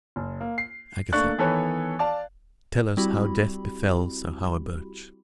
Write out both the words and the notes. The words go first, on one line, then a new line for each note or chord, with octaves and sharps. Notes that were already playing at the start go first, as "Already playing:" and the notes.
"Agatha, tell us how death befell Sir Hawerburch."
F#1
A#3
C7
A3 A#3 D4 C#6 F#6 A6
D#3 E3 B3 A4 B4 C#5
D5 F5 A5
G3 C4 E4 F#4 G4 B5